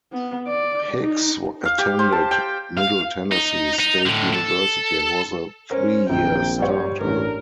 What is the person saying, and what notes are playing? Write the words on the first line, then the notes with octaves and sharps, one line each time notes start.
Hicks attended Middle Tennessee State University and was a three-year starter.
B3
D5
D#4
F5
G4
C5
A5
G5
F5
D#4
D#4
A2 D3
A4
C#4 A#4 C5
A#1 F#2 D#3 C4 G5
G2 G3 C5 C#5
A1 D4 A#4